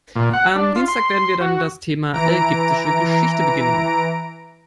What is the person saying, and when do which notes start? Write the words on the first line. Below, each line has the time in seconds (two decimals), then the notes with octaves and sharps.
Am Dienstag werden wir dann das Thema ägyptische Geschichte beginnen.
0.16 A#2
0.33 F#5
0.55 D4
0.76 F4
0.88 C6
1.41 F#4
2.13 E3 A#5 D7